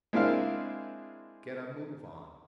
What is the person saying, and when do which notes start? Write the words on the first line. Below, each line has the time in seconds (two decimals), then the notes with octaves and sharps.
"Get a move on!"...
0.13 G#3 C4 D4 E4 A#4 F5